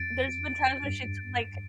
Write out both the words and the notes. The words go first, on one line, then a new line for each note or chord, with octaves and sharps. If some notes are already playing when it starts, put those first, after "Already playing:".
There's been times where she's like
Already playing: F2 A6 D7
G2